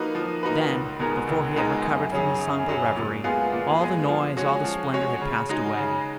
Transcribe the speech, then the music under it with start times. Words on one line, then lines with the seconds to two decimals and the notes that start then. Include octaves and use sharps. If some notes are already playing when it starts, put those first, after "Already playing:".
Then, before he had recovered from his sombre reverie, all the noise, all the splendor, had passed away.
Already playing: F3 A#3 D#4 F#4 B4
0.15 F3
0.43 A#3 D#4 F#4 B4
0.71 C#2
0.99 B2 G#3 D#4 A#4
1.27 C#2
1.56 B2 G#3 D#4 A#4
1.83 F#2
2.12 C#3 F#3 C#4 G#4
2.40 F#2
2.68 C#3 F#3 C#4 G#4
2.96 A#2
3.24 G#3 B3 F4 G#4
3.52 A#2
3.81 G#3 B3 F4 G#4
4.09 F3
4.37 G#3 C#4 F#4 C#5
4.64 F3
4.93 G#3 C#4 F#4 C#5
5.21 C#3
5.49 G#3 D#4 F#4
5.77 C#3